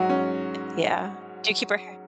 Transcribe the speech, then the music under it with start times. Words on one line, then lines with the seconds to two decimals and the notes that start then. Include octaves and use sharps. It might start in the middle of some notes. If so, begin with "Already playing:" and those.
Yeah. Do you keep her hair
Already playing: G#2 F#3 F#4
0.09 C#4